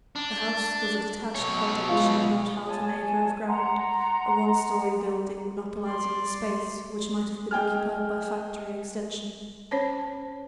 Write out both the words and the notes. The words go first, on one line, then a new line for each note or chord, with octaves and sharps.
The "house" was a detached cottage in about half an acre of ground, a one-storey building, monopolising the space which might have been occupied by factory extension.
D4
B2 C#5
G#3 F4 F5
C#5 G#5 A5
F#5 A#5 C6
D5 C6
G#3 G5 G#5 F6
C#4 C5 C#5 A5